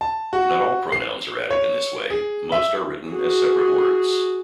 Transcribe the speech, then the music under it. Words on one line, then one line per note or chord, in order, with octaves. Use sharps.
Not all pronouns are added in this way; most are written as separate words.
A5
F#4
C7
C#5
G#4
E5
F#4 G#4